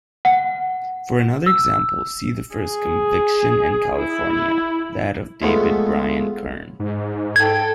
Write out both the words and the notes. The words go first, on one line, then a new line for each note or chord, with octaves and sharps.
For another example, see the first conviction in California, that of David Brian Kern.
F#5
E6
G#4
E4
G#3 A3 B3 C#4 F4
G#2
A4 G5 G#6